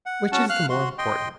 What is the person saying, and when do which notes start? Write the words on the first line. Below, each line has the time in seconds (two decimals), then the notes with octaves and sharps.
Which is the more important?
0.06 F#5
0.32 C#4 F#4 F#5 A5
0.50 F5 F6 F#6
0.70 F#4 C6
0.98 D#5 G5 C6